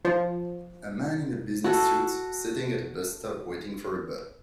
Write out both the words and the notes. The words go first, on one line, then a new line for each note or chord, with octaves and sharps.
A man in a business suit sitting at a bus stop waiting for a bus.
F3
F#4 A4